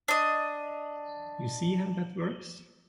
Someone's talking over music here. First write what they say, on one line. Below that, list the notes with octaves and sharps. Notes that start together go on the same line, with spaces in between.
You see how that works?
D4 D#5